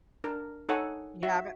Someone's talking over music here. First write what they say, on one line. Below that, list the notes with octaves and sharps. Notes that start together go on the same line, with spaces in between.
You haven't?
D4 A#4
D#4 A4 C#5 F#5 G#5
F#4 E5